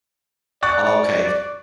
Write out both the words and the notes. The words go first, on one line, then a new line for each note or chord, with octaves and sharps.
Oh, okay.
D5 C#6 F#6 A6